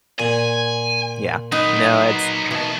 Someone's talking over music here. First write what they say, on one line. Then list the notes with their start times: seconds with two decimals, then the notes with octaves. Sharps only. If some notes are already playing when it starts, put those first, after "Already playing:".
Yeah. No, it's
0.20 A#2 G#5
1.52 F#3 D#4 B4
2.51 B2 E3 A5